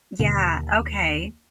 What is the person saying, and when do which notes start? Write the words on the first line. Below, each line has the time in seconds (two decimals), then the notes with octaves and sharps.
Yeah, okay.
0.20 D#2 B2 D3